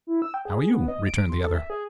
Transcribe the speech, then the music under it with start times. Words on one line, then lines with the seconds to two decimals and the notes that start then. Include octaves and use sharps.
"How are you?" returned the other.
0.07 E4
0.22 E6
0.34 G5
0.45 G#4
0.71 B3
0.88 D#5
1.07 D7
1.29 C6
1.42 A4
1.55 E5
1.70 G#4